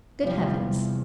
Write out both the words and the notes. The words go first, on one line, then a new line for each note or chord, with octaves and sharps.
Good heavens!
E2 C3 F3 G3